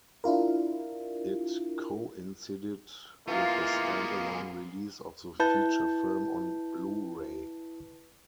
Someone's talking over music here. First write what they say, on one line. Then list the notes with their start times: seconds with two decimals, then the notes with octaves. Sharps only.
It coincided with a standalone release of the feature film on Blu-ray.
0.24 D4 E4 F4 A#4
3.28 E3 G#3 A#3 B3 F4
5.40 E4 B4 A5 G6